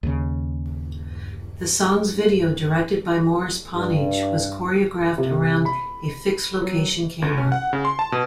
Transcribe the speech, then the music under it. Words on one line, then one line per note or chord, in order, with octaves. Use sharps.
The song's video, directed by Morris Panych, was choreographed around a fixed-location camera.
D#2 C#3
G2
C3
B5
F#3
C#2
C#4
F#5
C#3
C6
A5
B2